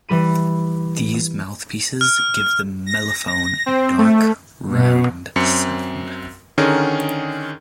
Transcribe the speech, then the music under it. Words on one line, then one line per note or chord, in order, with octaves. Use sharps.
These mouthpieces give the mellophone a dark, round sound.
E3 G3 B5 D#7
F6
A#6
A#6
C4
A3
B2
F#2 C4 C#7
D3 D#3 C#4 G#4 A#4